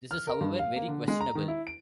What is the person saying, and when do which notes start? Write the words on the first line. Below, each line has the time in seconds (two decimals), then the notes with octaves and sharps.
This is, however, very questionable.
0.11 F6
0.27 A#4
0.41 G2
0.59 F5
0.76 A#3
0.88 D3
1.08 G#3
1.21 A#5
1.35 D#3
1.48 E4
1.67 D7